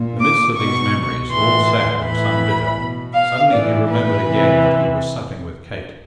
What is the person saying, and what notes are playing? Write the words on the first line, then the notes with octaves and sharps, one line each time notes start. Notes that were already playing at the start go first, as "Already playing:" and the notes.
In the midst of these memories, all sad and some bitter, suddenly he remembered again that he was supping with Kate.
Already playing: A#2
D6
B2 C#6
A2 E3 C6
A2 E3 B5
B2
F5
A2 E3 D5
B4
C3 E3